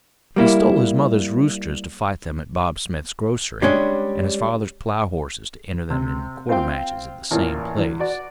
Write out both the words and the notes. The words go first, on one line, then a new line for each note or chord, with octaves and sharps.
He stole his mother's roosters to fight them at Bob Smith's grocery, and his father's plow-horses to enter them in "quarter" matches at the same place.
G3 A#3 E4
G3 G#3 C#4 D4
C3
C4 F4 F5 G5
A1 E2 A#3 F4
E2
F#4 D5